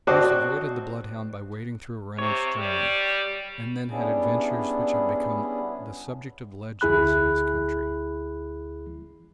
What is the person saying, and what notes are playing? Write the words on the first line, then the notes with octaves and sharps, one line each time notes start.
Bruce avoided the bloodhound by wading through a running stream, and then had adventures which have become the subject of legends in his country.
C4 F#4 D5 D#5 A5
C3 C#5
G3
G3 B3 C#4 D4 E4 G#4
D2 E4 G#4 B5 F#6